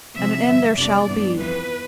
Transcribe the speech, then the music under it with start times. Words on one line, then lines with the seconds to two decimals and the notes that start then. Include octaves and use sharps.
And an end there shall be.
0.17 C3 F3 C4 E5
0.47 G2 D3 F3
0.77 F2 C3 G3 B3 D4 D5
1.08 G2 E3 B3 D4
1.38 F2 E3 B3 B4